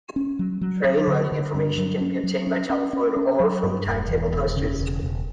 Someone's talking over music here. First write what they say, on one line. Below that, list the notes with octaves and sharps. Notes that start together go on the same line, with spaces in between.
Train running information can be obtained by telephone or from timetable posters.
C#4
F#3
F#3
F#3
D3
D3
G2
F#3
C#4
F#3
C#4
C#4
C#4
C#4
F#3
G2
E1
E2
E1
C#3
E1
E1